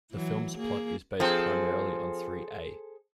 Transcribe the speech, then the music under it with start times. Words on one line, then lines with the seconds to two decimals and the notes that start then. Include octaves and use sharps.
The film's plot is based primarily on three A.
0.11 E3 F#3
0.57 A#3 G#4
1.20 F3 C4 G#4 A4 C5